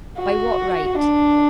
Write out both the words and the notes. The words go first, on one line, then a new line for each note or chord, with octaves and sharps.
By what right?
F#4
D4